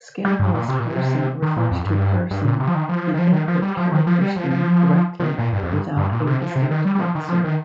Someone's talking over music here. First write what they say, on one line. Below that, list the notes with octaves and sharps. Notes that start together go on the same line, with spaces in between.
Scannerless parsing refers to parsing the input character-stream directly, without a distinct lexer.
G3
G2
A#2
C3
A#2
C3
D#3
A#2
F2
G2
G2
A#2
C3
F3
D#3
F3
D#3
F3
D#3
F3
G3
F3
D#3
F3
G3
F3
F3
F3
D#3
A#2
G2
F2
G2
G2
A#2
C3
F3
C3
D#3
G3
G3
F3
D#3
F3
D#3